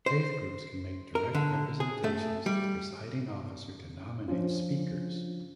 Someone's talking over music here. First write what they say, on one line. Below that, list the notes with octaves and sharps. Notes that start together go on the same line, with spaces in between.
Faith groups can make direct representations to the Presiding Officer to nominate speakers.
C5
A#4
D3
G#4
A3
G3
F3 C#4 D4 F4